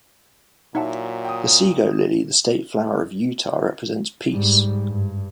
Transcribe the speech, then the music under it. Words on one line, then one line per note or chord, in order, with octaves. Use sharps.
The sego lily, the state flower of Utah, represents peace.
A#2 F#3 D#4 E4 F#5 A5
G5 D#6
G#2 G3
G2